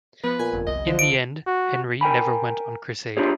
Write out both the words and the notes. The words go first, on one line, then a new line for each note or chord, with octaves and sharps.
In the end, Henry never went on crusade.
F3 B3 B4
A#2 G#5
G1 F2
C2 D#5
D3 F3
D7
F#4
A#4 G5 G#5 B5
D4 E4 F4 G4 G#4 C#5